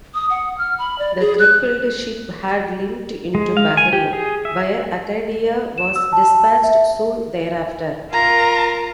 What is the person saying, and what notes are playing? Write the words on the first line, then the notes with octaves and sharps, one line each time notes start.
The crippled ship had limped into Bahrain, where "Acadia" was dispatched soon thereafter.
D#6
F#5
F6
B5
D5
G#4
F#6
G#3
F5
G#5
G4
G#4
E5
E7
E6
A5
E5
F4 A#4 A#5